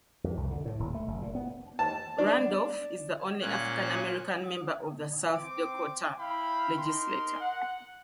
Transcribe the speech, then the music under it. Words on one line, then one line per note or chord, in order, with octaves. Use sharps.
Randolph is the only African American member of the South Dakota Legislature.
F2
C2
D3
A2
D#1
A3
F#1
A#2
B3
A5
D4
A#2 C#4 F#6
C4 D6
E4 F5 G5 B5
D#4 A#4 C6
F#5